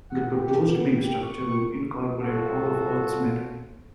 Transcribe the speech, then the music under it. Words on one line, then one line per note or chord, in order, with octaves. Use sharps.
The proposed megastructure would incorporate all of Earth's matter.
F#5
G4
B3
G4
C#6
C2 A2 F4 F#4 A4